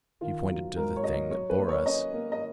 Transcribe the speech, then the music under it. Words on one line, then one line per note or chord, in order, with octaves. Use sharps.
He pointed to the Thing that bore us.
D#3 F4
F#3
G#2 A#4
C#5
F#3 D#5
F#3 C#5
B4
A#3
C#5
C#4 D#5
A#3
D#5